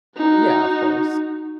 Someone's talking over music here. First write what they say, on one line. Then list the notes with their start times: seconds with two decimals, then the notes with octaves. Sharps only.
Yeah, of course.
0.17 D#4 F#4